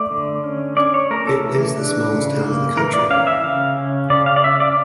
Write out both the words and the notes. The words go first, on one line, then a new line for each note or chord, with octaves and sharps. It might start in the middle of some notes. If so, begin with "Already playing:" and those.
It is the smallest town in the country.
Already playing: A3 D5
D3
C#4
C#4 D5
C#5
A3 A#4
A4
E3
D4
C#3
A#3
E3 A#4
D5
C#4 F5
E5
C#3 F5
C#4
C#3 D5
F5
D5
C#4 E5
D5